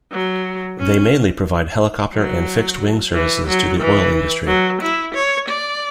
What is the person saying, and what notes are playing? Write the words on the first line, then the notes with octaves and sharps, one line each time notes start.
They mainly provide helicopter and fixed-wing services to the oil industry.
F#3
C#4
F#3
E3
F#3
E3
F#3
E4
C#5
D5